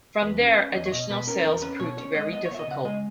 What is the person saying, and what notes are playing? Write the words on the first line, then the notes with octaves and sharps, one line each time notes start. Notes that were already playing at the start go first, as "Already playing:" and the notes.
From there additional sales proved very difficult.
E2 B4
C#4
B4
C#4
E2 D#5
C#5
B2 D#5
B2 B4
C#4 A#4
E2 A#4
C#4 B4
B2 C#5
C#4 C#5
G#3 D#5
B3 D#5
C#5
B3 E5
D#5
C#3 F#5
G#3 D#5